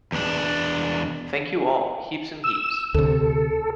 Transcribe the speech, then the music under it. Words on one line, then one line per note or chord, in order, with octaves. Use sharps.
Thank you all, heaps and heaps!
E2 D4
E6
D2 C3 A4